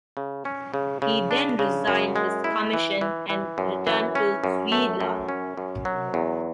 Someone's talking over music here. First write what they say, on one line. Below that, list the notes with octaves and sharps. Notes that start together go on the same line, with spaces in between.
He then resigned his commission and returned to Zuidlaren.
C#3
C#4
C#3
C#3
D4
C#3
F#2
G#3
E4
E3
E3
E3
F#2
E3
C#4
F#2
A3
F#2
C#4
F#2
F#3
E2